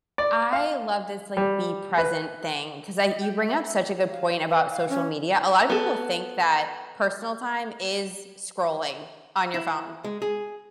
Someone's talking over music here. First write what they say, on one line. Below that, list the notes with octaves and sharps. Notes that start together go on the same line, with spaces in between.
I love this, like, be present thing 'cause I you bring up such a good point about social media. A lot of people think that personal time is scrolling on your phone
D5
F5
G3
B4
D#5
G5
E5
E5
C#5
F5
B4
F5
C#4
B3 A4
E4
G#3
G#4